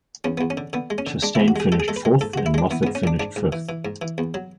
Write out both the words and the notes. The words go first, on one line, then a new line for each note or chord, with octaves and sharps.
Chastain finished fourth and Moffitt finished fifth.
E2 C#4
E2 B3
C#4
D3
D3 B3
G#3
C#4
D3
G#3 D4
E4
E2
F#4
G#3 G#4
G#3 A4
G#4
G#3 A4
B4
G#3
G#2 A4
F#4
G#3
E4
G#3 D4
E3 B3
B3
G#2
C#4
G#2 D4
G#2 D4
G#2
E3
E3
G#2
E3
E2
F#3